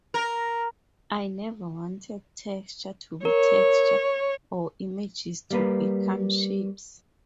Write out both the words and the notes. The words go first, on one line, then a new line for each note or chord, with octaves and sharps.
I never wanted texture to be texture, or images to become shapes.
A#4
A#4 C#5
G3 A#3 B4